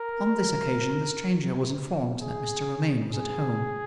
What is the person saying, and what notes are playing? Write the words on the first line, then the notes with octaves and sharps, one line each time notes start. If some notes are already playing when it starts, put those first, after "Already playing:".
On this occasion, the stranger was informed that Mr. Romayne was at home.
Already playing: A#4
G#4
G#4